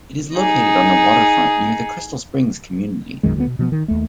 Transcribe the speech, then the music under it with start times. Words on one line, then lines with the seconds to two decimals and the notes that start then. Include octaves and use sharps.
It is located on the waterfront near the Crystal Springs community.
0.34 D#4 G#4
3.23 B1 F#2 D#3 G#3
3.36 D2 F3 B3
3.47 B2
3.59 B2 F3 B3
3.72 D#3
3.88 D#2 A3